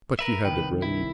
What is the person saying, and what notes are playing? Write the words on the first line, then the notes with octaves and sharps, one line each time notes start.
But he had it ready.
A#4 B4 E5
C2 D#3 B4 G5
E4